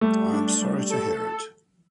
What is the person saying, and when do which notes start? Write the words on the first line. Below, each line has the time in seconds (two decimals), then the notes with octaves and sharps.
I am sorry to hear it.
0.01 G3 A3
0.32 D4
0.61 G3
0.90 A4